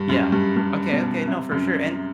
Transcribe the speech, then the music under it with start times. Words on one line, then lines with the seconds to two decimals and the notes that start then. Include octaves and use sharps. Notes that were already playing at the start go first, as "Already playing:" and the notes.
Yeah. Okay, okay. No, for sure, and, eh
Already playing: G2
0.09 F#2
0.32 G2
0.56 G2
0.92 B2
1.27 C3
1.51 F#2